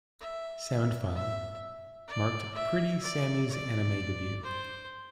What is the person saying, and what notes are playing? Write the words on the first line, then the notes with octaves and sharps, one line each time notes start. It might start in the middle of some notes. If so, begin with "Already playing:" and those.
Soundfile, marked Pretty Sammy's anime debut.
E5
E5
E5
D5
E5
D5
D5
C5